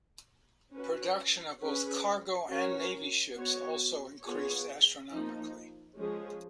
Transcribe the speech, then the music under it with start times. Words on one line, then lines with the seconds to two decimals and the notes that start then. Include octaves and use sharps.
Production of both cargo and Navy ships also increased astronomically.
0.74 C#4 F#4 B4
1.61 C#4 G#4 B4
2.48 C#4 F#4 A#4 C#5
3.35 B3 F#4 C#5
4.23 B3 F4 G#4 C#5
5.10 F3 A#3 D#4
5.97 F3 G#3 C#4 G#4